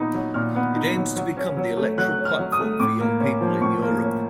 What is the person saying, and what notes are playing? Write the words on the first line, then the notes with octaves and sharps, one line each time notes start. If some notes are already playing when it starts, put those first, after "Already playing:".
It aims to become the electoral platform for young people in Europe.
Already playing: A#2 B3 D#4
F#3
A#2 F6
B3
D#4
F#3
F#3
C#4
F#3
A3
F#3 F#6
C#4
F6
F#3
D#6
A3
A2 D6
A#3
C#4
F3
A2 C#6
A#3
C#4